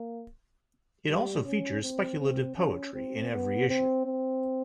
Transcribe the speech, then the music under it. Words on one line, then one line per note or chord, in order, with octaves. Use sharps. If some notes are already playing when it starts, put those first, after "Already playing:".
It also features speculative poetry in every issue.
Already playing: A#3
G3
C#4
C4
C4
C#4
C4
B3
C4
C4